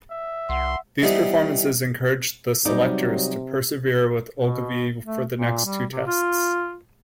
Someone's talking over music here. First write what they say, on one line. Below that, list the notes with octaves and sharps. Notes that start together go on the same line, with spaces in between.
These performances encouraged the selectors to persevere with Ogilvie for the next two tests.
E5
C2 F#5 C6
E3 G3 B3 C4 D#4
C3 F#3 G3 D#4 C5 D5
B2
A3
A#2
G3
C3
F4